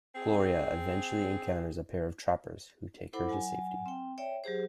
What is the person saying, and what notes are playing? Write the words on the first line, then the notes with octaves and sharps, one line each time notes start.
Gloria eventually encounters a pair of trappers, who take her to safety.
C4 G#4
E4 A4 C5 F#5 B5 D6
F#3 F#5 G#5
C4 G5
C#5 D5 E5 G5
F#3 G4 G#4 C5